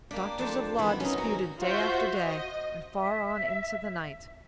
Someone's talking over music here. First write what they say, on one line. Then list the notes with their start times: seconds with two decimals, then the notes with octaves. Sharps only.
Doctors of law disputed day after day, and far on into the night.
0.11 A#3 D4 G4
0.39 F2 C5 A5
0.79 D#3 E3 B3 E4
1.00 F#3 C#4 D#4
1.18 F#4
1.60 F4 F#4 C5 E5 G6
2.16 D#5
2.95 E5